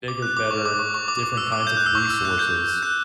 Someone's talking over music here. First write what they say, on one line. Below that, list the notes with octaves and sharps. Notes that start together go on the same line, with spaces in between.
bigger, better, different kinds of resources
D6
F#6
D6
C#6
D6
C#6
C#6
D6
D6
E6
D6
G6
F#6
E6
C#6
E6
F#6
G6
F#6